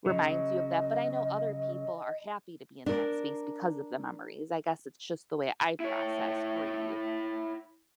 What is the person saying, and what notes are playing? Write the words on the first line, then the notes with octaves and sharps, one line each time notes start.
reminds you of that, but I know other people are happy to be in that space because of the memories, I guess it's just the way I process grief.
C#3 F#3 D#5
D4 A#4
E4 C#5